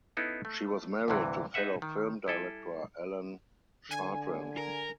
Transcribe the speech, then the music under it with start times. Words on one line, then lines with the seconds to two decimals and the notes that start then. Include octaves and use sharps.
She was married to fellow film director Alain Chartrand.
0.17 B3 C#4 D#4 E4 A4
0.45 A3
1.08 D2 G2 C3 E3
1.54 D#4 G#4 B4 E5 F#5
1.82 D#3
2.27 G3 E4 A4 G#5
3.91 D3 G#5
4.57 A#4